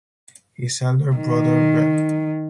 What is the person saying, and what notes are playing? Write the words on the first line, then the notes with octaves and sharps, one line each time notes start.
His elder Brother Rev.
D#3